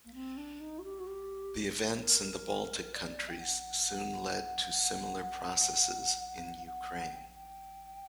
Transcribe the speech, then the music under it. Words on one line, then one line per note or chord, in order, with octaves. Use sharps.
The events in the Baltic countries soon led to similar processes in Ukraine.
A#3
C4
D4
D#4
F#4
G4
F#4
G4
A#4
D5
G5
F#5
F#5
F#5
G5
G5